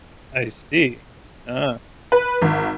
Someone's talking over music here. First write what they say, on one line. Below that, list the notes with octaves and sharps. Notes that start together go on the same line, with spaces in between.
I see. Uh.
B4
G#1